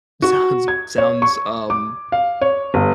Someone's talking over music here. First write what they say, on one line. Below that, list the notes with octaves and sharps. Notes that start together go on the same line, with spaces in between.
Sounds sounds, um
F#4
G#6
C#5
C#6
D6
F5
C#5
G1